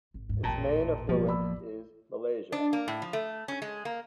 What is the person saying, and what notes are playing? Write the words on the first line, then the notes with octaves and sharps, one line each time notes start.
Its main affluent is Malaysia.
G#1
D#2 G#2
A1 E2 A#2 G5 A5 A#5
E1 F3 G3 A#3
D5 B5 E6
D4
A#3
A2
F3
A3
C#4
G#3
A#3